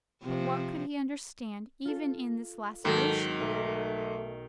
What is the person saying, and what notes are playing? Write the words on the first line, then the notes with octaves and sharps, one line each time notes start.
But what could he understand even in this "laceration"?
C3 F3
F4 A4
G#2 D#3 F#3 F#4 A4 A5 C6
B1 A3 A#4